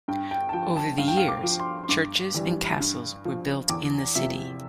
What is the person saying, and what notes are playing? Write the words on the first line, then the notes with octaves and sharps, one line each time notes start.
Over the years, churches and castles were built in the city.
G2 G5
G5
A5
F3 G5
A5
G2 F5
G5
F5
D6
F3
C6
C6
G2 D6
E3 G3
G2
F3
E2 D6
C3 F3 E5